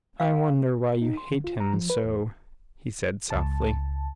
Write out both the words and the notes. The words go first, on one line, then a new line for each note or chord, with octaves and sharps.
"I wonder why you hate him so," he said softly.
F5
D#4
C6
D3
F4
A#5
F3
B4
E2
C#2 A5